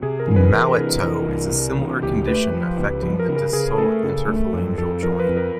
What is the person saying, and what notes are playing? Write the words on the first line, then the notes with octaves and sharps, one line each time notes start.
Mallet toe is a similar condition affecting the distal interphalangeal joint.
C3 G#4
A#4
E3
B4
E3 A#4
C3
E3
C2
C3
E3
C#2 G4
A3 B4
F3
C#2
F3 B4
A#4
C#3
A#4
C#3 G#4
A3 A4
C#3
A3
F2
F2 A4
F3 A#4
B4
F2
A#4